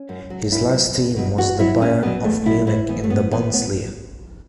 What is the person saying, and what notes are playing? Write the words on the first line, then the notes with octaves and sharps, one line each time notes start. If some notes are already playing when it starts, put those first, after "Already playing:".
His last team was the Bayern of Múnich in the Bundesliga.
Already playing: C#4
F#2
F#3
F#2 E4
F#3
E2
B2 F#3
E2 F#4
B2 F#3 E4
E2 C#4
B2 F#3 B3
E2 A3
B2 F#3 E4
A2 E4
E3 B3
A3
A2 B3
E3 B3
A2 B3